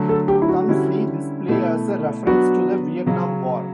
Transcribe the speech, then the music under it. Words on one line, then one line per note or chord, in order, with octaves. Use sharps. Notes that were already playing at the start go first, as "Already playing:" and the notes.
Some see this play as a reference to the Vietnam war.
Already playing: D3 F#3 A3
A4
G4
E4
F#4
D3 G3 C#4 E4
B2 A3 E4
F#3 B3 D4 F#4
C#3 F#3 C#4